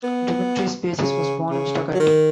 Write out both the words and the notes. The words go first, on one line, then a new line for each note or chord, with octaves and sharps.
Dimitris Basis was born in Stuttgart.
B3
C#3
C#3
F#3
D#3